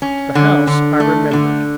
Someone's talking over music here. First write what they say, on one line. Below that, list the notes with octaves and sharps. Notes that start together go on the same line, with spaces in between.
The house I remembered.
C#4
D3
D3
A3
D3